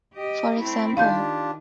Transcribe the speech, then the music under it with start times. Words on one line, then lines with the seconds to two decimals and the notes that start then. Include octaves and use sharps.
For example.
0.14 G4 D#5
0.60 A3 C4 E4
0.97 D#3 D4 F4 G4 F5 C6 G6